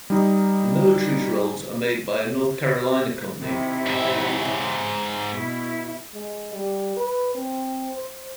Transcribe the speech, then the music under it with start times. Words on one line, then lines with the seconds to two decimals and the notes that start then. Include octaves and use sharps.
The military's rolls are made by a North Carolina company.
0.10 G3 D#4
3.41 C3 D#3 E4
3.86 G#2 E5
5.32 B2 E4
6.14 G#3
6.53 G3
6.97 B4
7.35 C4
7.95 C5